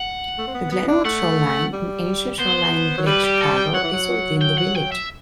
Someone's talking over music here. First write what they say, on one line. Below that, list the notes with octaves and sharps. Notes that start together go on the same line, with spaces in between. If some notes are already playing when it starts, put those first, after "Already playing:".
The Glenwood Shoreline, an ancient shoreline of Lake Chicago, is within the village.
Already playing: F#5
A3
C4
B3
B3
D4
A3 F#5
G3
B3 C5
F#3
G3 B4
G4
A4
G5
F#3 F#5
E3
F#3
G5
F#5
G5
E5